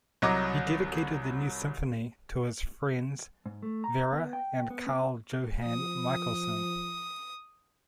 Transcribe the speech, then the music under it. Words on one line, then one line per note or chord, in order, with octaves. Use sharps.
He dedicated the new symphony to his friends Vera and Carl Johan Michaelsen.
C2 F#3 D#5 A#5 D6
G#2
A3
A#5
B3
G5
B3
C4
F3 D#6